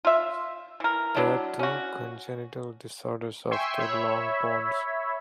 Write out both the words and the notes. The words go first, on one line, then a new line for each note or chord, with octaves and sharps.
There are two congenital disorders of the long bones.
F4 E5
E3 A#4
F#3 D4 E4
C#4 F#4
E5 G5 G#5 C6 C#6 E6
C#5 E5 B5